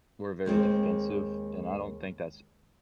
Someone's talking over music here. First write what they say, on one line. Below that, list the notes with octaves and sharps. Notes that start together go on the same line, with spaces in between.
we're very defensive, and I don't think that's
D#2 G#3 C4